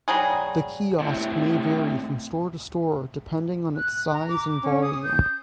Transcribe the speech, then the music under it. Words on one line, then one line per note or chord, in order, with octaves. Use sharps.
The kiosk may vary from store to store depending on its size and volume.
F#3 G3 G#4
A2 C3
F#6
A#5
D6
C#4
D#6
G6